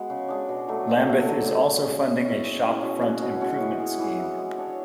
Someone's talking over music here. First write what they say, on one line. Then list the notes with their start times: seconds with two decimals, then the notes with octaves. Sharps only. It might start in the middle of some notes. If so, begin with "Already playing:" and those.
Lambeth is also funding a shop front improvement scheme.
Already playing: G#3 B3 F#4
0.10 C#3
0.28 G#3 D4
0.48 B2
0.68 F#3 A3
0.87 B2
1.07 F#3 A3
1.27 D3
1.46 G#3 C#4
1.65 D3
1.85 G#3 C#4
2.05 G#3
2.24 C#4 E4
2.43 G#3
2.62 C#4 E4
2.82 B2
3.01 G#3 C#4 F#4
3.21 B2
3.41 G#3 C#4 F#4
3.60 E3
3.79 B3 E4
3.99 E3
4.19 B3 E4
4.38 G#3
4.58 D4 F#4 C#5